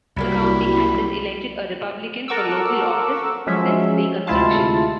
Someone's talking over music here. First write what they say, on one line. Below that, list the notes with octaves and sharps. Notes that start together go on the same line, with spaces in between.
The county hasn't elected a Republican for local office since Reconstruction.
C2 F#3 G3 A#3 E4 F#4 G4 B5
A4 A#4 F#5 C#6 D6 E6
F3 F#3 G#3 C#4 E5
D2 C3 G#3 E4 F4 A5